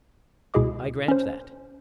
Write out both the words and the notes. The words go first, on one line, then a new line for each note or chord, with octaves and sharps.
I grant that.
C#2 B2 E4 G#4 D#5 D6
C#4 C5